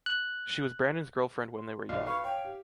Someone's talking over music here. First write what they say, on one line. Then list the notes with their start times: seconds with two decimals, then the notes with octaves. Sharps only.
She was Brandon’s girlfriend when they were young.
0.06 F#6
1.55 C6
1.89 B1 F4 D5 D#5 F5
2.07 B4 F5 C#6
2.24 C#5 G5
2.45 G4